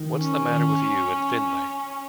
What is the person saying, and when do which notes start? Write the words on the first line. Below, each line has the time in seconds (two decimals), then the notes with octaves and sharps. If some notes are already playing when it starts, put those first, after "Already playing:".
What's the matter with you and Finlay?
Already playing: D#3
0.19 C#4